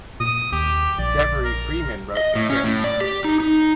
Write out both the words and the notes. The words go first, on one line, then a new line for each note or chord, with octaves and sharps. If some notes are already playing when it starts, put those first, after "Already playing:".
Devery Freeman wrote the script.
A#2 D#6
D#2 G4
A#1 D5
A#4
D#5
A2
C#4
A2
D5
G4
D#4
D#4